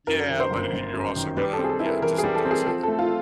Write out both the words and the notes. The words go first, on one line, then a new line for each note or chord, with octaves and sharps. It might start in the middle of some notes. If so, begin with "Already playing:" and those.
Yeah, but y you're also gonna yeah, just don't say
F#2 A#4
D#3
C5
G1
G1
F#2
D#3
G3 B4
A4
C4
G#4
A4
E4
A#4
E3 A#4
G#4
G3
A4
C4
G#4
F3 A4
A4
A3
F4